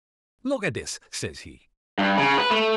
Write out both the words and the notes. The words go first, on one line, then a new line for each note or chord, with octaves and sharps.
Look at this, says he.
G2
C#3
B4
A3